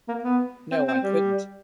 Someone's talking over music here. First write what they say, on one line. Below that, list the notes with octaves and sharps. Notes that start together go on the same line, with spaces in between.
No, I couldn't.
A#3
B3
C4
C4
G3